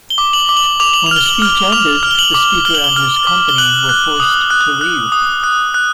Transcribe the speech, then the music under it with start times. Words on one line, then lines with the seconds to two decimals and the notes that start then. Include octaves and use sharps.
When the speech ended, the Speaker and his company were forced to leave.
0.10 G7
0.18 D6
0.33 F#7
0.49 D6
0.57 F#7
0.80 D6 F7
0.93 F#7
1.06 F6 F7
1.16 G7
1.26 F#7
1.42 F6
1.72 D6 F7
2.03 F6
2.11 G7
2.19 F#7
2.34 D6
2.65 F6 G7
2.75 F#7
2.84 G7
2.96 F6
3.27 D6
3.49 G7
3.58 F#6 F#7
3.89 F#6
4.20 D#6
4.50 F#6
4.81 F#6
5.12 D#6
5.44 F#6
5.74 F#6